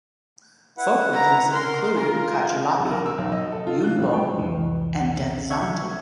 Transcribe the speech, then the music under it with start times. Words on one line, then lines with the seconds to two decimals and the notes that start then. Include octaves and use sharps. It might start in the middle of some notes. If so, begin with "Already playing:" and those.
Folk rhythms include "cachullapi", "yumbo", and danzante.
0.78 E4 B4 F#5
1.13 A#5
1.52 A#4 C6
1.96 F4 A#4
2.79 B1
2.91 A#4
3.06 E6
3.18 B1
3.32 D#5
3.52 A4
3.67 F4
3.84 F#6
3.98 A#1
4.13 G5
4.37 C2 F2 E3
5.50 E5 C#6 G#6